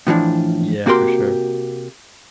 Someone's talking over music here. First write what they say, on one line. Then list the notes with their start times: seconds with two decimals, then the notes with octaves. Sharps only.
Yeah, for sure.
0.07 A2 E3 F3 D4
0.86 C3 A#3 F#4 G4 A#4 C6